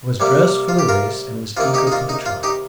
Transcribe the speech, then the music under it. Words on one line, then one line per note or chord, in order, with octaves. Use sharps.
I was dressed for the race and was eager for the trial.
C3 G3 A#3
F4
G4
F4 A#4
C3 D#3 A#3 F4
D#4 G4
D#4
F4
D#4
F4
D#4 G4